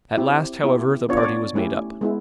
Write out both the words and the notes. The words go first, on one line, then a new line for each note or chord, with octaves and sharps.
At last, however, the party was made up.
C4 E4 G4
B3 E4 G4
B3 D4 F4 C#5
D5
C#5
A3 C#4 E4 G4
G#3 B3 E4